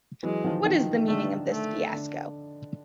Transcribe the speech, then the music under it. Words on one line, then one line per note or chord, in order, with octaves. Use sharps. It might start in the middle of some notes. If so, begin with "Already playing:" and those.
What is the meaning of this fiasco?
E3 F#3 G#3
D#3 F3
D#3
D3 A3
A3
D3